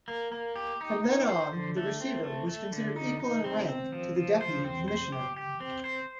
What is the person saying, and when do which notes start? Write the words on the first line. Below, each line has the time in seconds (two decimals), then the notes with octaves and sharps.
From then on, the Receiver was considered equal in rank to the Deputy Commissioner.
0.08 A#3
0.32 A#3
0.56 G4
0.81 D#4
1.04 D#4
1.29 C5
1.52 D3
1.77 A3
2.01 C4
2.24 A3
2.48 A3
2.73 D3
2.96 D#4
3.20 D#4
3.44 C4
3.69 C4
3.92 F3
4.16 F3
4.41 C5
4.65 C4
4.88 C5
5.12 G4
5.36 G4
5.60 C4
5.84 C5